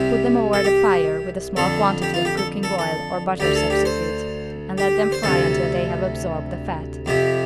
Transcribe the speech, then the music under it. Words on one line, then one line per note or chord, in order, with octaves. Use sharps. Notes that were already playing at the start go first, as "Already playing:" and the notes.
Put them over the fire with a small quantity of cooking oil or butter substitute, and let them fry until they have absorbed the fat.
Already playing: C2 C3 G4
A4
G4
F2 D3 A4
G4
F4
G4
A4
A4
A4
D2 D3 G4
A4
G4
C5
G4
C5
D2 C3 A4
F2 C3 G4